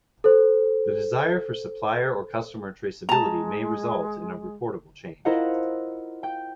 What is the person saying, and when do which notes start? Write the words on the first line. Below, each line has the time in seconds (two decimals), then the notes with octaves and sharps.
The desire for supplier or customer traceability may result in a reportable change.
0.24 A4 C5
3.09 G#3 A5 A#5
5.25 E4 F4 A#4 C5 D#5 F#5
6.23 G5 G6